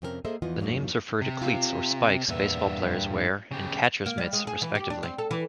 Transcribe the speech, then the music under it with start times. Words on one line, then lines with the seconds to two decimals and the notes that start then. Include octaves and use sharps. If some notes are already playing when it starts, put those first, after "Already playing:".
The names refer to cleats or "spikes" baseball players wear and catcher's mitts, respectively.
0.02 F2 C3 C4 C#4 G#4 A#4
0.25 A#3 G#4 A4 C5 D#5 E5
0.42 E2 E3 F3 B3 F4 D#5
0.60 E2 G2 F#3 A#3 D4 D#4
1.21 C3
1.42 F4
2.29 E2 G2 A#2 B3 E5
3.51 C#3 G4
4.06 A#3
4.18 G3
4.33 G#3
4.47 G#4
4.62 E3
4.75 G4
4.90 D4
5.03 C4
5.18 A4
5.31 E3